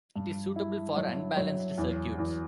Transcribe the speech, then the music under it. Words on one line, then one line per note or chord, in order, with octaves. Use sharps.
It is suitable for unbalanced circuits.
G2
E4
F#3
F#3
E2
E2